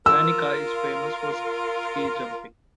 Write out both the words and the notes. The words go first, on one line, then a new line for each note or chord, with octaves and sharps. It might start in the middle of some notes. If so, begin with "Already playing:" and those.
Planica is famous for ski jumping.
F4 A#4 E6